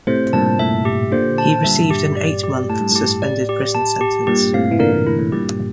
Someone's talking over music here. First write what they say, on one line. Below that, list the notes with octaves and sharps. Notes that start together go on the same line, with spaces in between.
He received an eight-month suspended prison sentence.
A2 C3 C5
G2 A#2 A5
A2 E5
G4
A#2 D3 C5
A5
G2 A#2 E5
G4
D5
G4
A2 A5
G2
A2 G4
D5
G4
A5
G4
G2 A#2 G4
A2 C3 F5
E3
A#2 D3 A#4
A#2 D3
A2 E4
A2
G2 A#2 G4